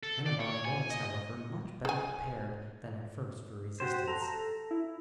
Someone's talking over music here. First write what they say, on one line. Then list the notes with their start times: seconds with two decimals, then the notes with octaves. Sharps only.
Hennebon was, however, much better prepared than at first for resistance.
0.03 A4
0.26 D5
0.40 C#5
0.65 G#5
0.90 D#5
1.85 G#4 G#5
3.80 F#4 G4 C5
4.08 A4 A#5
4.71 E4